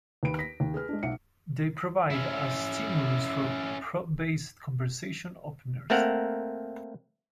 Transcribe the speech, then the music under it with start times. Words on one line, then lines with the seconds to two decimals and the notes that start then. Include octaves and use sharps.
They provide a stimulus for prop-based conversation openers.
0.23 D#2 B4 B5 D7
0.39 A#6 B6
0.60 D#2
0.74 G#4 B4 F6
0.89 G#3 D4
1.03 B1 E5 F#5 C#7
2.10 C#4 E4
5.90 A3 A#3 C4 A#4 F#5